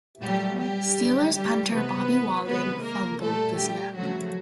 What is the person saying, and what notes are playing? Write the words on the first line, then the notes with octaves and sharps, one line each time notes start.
Steelers punter Bobby Walden fumbled the snap.
A#2 F#3 G3 A3 G4
G3 G4
D3 F#3 A3
G3 G4
C3 E3 G#3 B3 B4
C3 D#3 G#3 B3 B4
A#3 A#4
A#2 G3 A3 A4
G3 G4
C#3 F3 F#3 A3 F#4